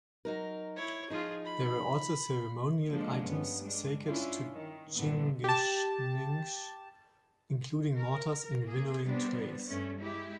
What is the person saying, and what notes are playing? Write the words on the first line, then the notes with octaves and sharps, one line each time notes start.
There were also ceremonial items sacred to Chingichngish, including mortars and winnowing trays.
F#3 D#4 A#4
E4 C#5
F3 D#4 F4 G#4
B5
D3 F3 G#3 A#3 D4
G2 B3 C#4
G3 G#3 D4
C#4 D4 E4 F4
D#3
G2 A#2 D3 E3 G3 B3
G4 A5
A#4
A#3 G#4
G3 B3 C4 D4
G2 A3 C#4
G#3 E4 G4